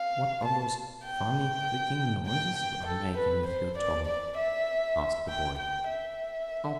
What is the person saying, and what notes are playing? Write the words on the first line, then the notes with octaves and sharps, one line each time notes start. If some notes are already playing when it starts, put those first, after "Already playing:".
"What are those funny, clicking noises you are making with your tongue?" asked the boy.
Already playing: F5
A5
G5
G5
G5
A4
B4
C5
D5
D5
E5
G5
G5
E5